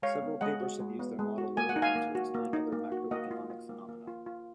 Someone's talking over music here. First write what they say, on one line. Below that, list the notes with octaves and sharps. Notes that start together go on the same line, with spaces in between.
Several papers have used their model later on to explain other macroeconomic phenomena.
G#3 C#5 F5
B3
G#3 D#5 F#5
F#4
G#3
B3
G#3
F#4
A#3 G#5
F#5
D#4
F5 G#5
A#3
F#4
A#3
D#4
A#3
F#4
A#3 D#5 F#5
F4
F4
A#3
A#3
F4
F4